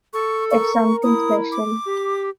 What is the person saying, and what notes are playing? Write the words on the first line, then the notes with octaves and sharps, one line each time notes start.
It's something special.
A4 C#6
A#4 C#6
E4 D#6
D6
G4